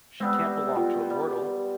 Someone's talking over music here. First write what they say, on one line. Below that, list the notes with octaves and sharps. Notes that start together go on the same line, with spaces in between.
She can’t belong to a mortal!
G3 G#3 B3 C4
F4 G5
G3